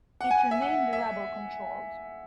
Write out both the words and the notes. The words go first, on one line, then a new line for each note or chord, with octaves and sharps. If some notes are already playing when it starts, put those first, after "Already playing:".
It remained rebel-controlled.
F#5
G#5
E5
F#5
E5